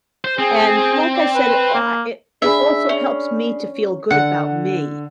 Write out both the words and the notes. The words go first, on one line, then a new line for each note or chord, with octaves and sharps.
and like I said, I it it also helps me to feel good about me,
C5
C4 G#4
D5
B4
A#3
D4 G#4 E5 B5
C#4
D3 F#5